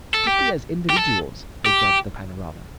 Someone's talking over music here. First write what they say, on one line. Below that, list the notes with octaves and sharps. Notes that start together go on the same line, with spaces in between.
Strictly as individuals they judge the panorama.
A4
G4
G4
A4
G4